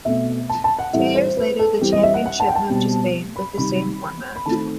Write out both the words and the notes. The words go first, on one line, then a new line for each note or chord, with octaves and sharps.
Two years later, the championship moved to Spain, with the same format.
B2 A3 C4 E5
A5
A5
F#5
A2 E3 G3 C4 E5
C5
B4
A4
E3 G3 C4 G4
D#5
E5
F#5
F#5
A5
G5
A5
B2 G3 C4
B5
C3 D#3 G3 B5
B5
D#3 A3 C4 A5